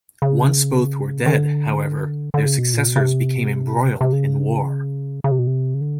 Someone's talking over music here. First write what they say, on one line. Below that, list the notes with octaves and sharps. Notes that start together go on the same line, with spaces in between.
Once both were dead, however, their successors became embroiled in war.
C#3
D#3
D3
D3
C#3
B2
A#2
B2
C#3
C3
C3
C#3
C#3
C3
B2
C3
C#3
D3